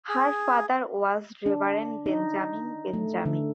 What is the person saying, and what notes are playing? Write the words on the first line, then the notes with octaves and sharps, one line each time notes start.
Her father was Reverend Benjamin Benjamin.
G#4
D4
D#4
A3
D3